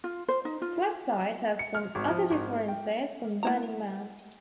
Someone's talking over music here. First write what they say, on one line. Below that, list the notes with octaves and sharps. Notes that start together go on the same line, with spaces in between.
Flipside has some other differences from Burning Man.
F4
C5
D#4
F4
C#7
F6
G#1
F3
G#1
G5
A#3 E4 A#5